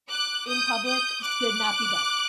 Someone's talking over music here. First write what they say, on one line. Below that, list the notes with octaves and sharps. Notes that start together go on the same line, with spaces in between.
in public should not be done.
D6 F#6
D#6 G6
D#6 G6
D6 F#6